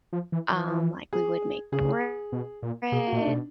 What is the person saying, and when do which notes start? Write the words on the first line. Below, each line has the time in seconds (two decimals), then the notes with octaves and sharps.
um, like we would make bread,
0.13 F3
0.32 E3
0.52 E3
1.13 G#4
1.72 C#3 G#4
2.32 B2
2.62 A#2
2.92 B2 G#4
3.07 F#4
3.13 A#2
3.17 D#4
3.22 D4
3.27 C3
3.32 B2